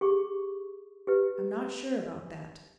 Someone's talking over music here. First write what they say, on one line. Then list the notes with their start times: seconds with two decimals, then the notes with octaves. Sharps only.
"I'm not sure about that."
0.01 G4 G#4 C#6
1.07 G4 B4